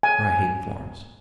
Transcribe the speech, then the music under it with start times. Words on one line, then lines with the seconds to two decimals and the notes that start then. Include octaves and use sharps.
For I hate Florence.
0.03 G#5